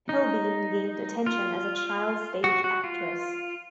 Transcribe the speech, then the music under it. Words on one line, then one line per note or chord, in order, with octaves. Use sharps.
Pilbeam gained attention as a child stage actress.
D#4
F4
F#4
F#4
F4